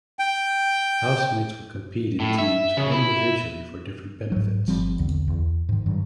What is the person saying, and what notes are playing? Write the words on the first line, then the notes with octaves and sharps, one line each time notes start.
Housemates will compete in teams or individually for different benefits.
G5
A2
E5
C#3
E4
G#2 F#3
G1 F3 G3 C4
B1 E2 D3
E2
G#2 D#3
G2 D#3 F#3